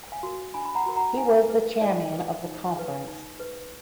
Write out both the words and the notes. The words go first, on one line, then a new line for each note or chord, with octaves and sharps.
He was the chairman of the conference.
F5 G#5
F#4 A#4
D4 G#5 B5
B5
F#5 A#5
F#4 A#4
F#5 A#5
D#4 F5 G#5
G#4 B4
D#4 D5 F5
G#4 B4
D#4
G#4 B4
D#4
G#4 B4